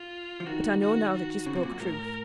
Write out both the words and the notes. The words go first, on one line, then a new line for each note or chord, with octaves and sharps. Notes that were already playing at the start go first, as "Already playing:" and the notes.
But I know now that you spoke truth.
Already playing: F4
F3
D#3 F#4
F#4
F#4
C#3
C3
A#2
F#2
A2 A#4